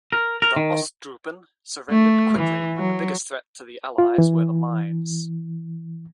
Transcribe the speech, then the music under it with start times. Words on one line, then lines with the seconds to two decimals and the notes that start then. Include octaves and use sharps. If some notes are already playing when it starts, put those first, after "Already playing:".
The "Osttruppen" surrendered quickly, and the biggest threat to the Allies were the mines.
0.12 A#4
0.42 A#4
0.56 D#3
1.90 A3
2.39 E3
2.77 F#3
3.98 F4
4.18 E3